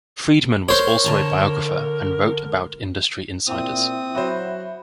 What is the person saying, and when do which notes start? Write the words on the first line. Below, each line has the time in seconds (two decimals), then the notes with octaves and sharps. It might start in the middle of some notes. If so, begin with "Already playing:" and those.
Freedman was also a biographer and wrote about industry insiders.
0.69 A#4 C5 C#5
1.04 D3 A5 A#5
3.47 A#2 C4 E4 E5 D#6
4.15 F#3 F#4 C5 E5 B5